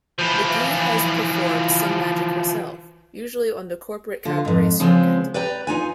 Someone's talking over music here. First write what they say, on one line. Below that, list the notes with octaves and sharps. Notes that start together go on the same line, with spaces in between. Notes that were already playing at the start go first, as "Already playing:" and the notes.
McGee has performed some magic herself, usually on the corporate cabaret circuit.
E3 F3
D3 F4
F2 G#2
C#3 F3 G#3 B3 C4
B4 D5 G5 A#5
D#4 F4 G#5